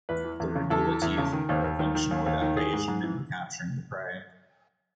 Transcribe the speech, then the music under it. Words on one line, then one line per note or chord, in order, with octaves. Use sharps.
The radula teeth are a functional adaption in the capturing of prey.
E2 B4
E3
E2
C#3
E2 A4
E3
E2
C#3
D#3
D#2
D#2
D#3
D#3
D#2
D#2
D#3
E3 G#4
G#2
G#2
E3